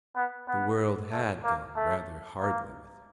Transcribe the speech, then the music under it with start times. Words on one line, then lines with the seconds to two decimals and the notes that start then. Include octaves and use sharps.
The world had gone rather hardly with her.
0.16 B3
0.48 B3
1.12 A3
1.44 A#3
1.76 A3
2.40 A#3